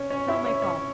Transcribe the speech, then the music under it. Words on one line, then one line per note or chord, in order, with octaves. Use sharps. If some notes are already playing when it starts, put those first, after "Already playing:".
It's all my fault.
Already playing: C#4 C#5
C#4 C#5
E4 E5
C#4 C#5
C#4 C#5